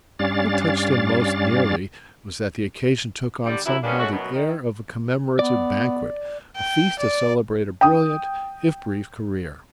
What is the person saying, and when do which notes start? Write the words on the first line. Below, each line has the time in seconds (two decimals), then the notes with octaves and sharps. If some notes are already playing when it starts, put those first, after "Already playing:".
What touched him most nearly was that the occasion took on somehow the air of a commemorative banquet, a feast to celebrate a brilliant if brief career.
0.19 G2 G3 C#4 D5 F5 A6
3.46 D3 G3
3.65 F#2 E4
3.83 G3 G#3 A#3 B3 C#4 D4
3.98 G#3 A3 C#4 E4 F#4
4.11 F#2 B2
4.33 D#3
5.39 B3 D5
6.56 G5
6.99 D5
7.81 G5 D#6